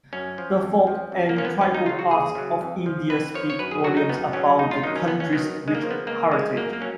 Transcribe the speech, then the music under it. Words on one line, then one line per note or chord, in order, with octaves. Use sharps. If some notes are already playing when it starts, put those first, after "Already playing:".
The folk and tribal arts of India speak volumes about the country's rich heritage.
F#2 C#4
F3
F2
F3
F2
A#3
F3 C#4
B3
D#2 C#4
D#4
C#3 F#3 F4
F#4
D#2 G#4
C#3 F#3
F2
F3
F2 B4
F3 C#5
C#5
F#2 B4
G#4
C#3 F#3 F#4
D#4
F#2 B3
C#3 F#3 C#4
D#2 D#4
F4
D#3 F#3 D#4
C#4
D#2 B3
C#4
D#3 F#3 B3
C#2
G#3
A#3
C#3 F3
B3
C#2 A#3
C#3 F3 G#3
F#2 A#3
A#3
F#3 C#4